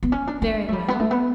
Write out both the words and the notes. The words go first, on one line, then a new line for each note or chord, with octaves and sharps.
'Very well.
B3
C#4
D4
D4
A3
G3
B3
A3
B3